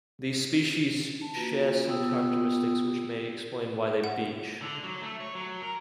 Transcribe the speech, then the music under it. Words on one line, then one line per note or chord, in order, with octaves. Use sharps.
These species share some characteristics which may explain why they beach.
A5
A#3 F4 F#4 B4
B3 F4 G4 G5 D#6 E6
F#5
D3
F#3
A3
C#5
F#3
A#4